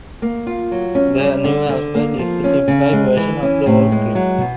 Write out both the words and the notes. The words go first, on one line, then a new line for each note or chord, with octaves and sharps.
The new alphabet is a simplified version of the old script.
A#3
F4
F#3
C#4
G3
D3
D3
A#3
F3
C#4
C#3
G#3
E3
C#4
A2
G#3
F#3
B2